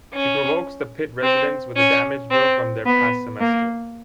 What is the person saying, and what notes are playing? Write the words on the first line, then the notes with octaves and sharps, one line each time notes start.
She provokes the Pit residents with a damage bill from their past semester.
C#4
C4
C#4
C4
B3
A#3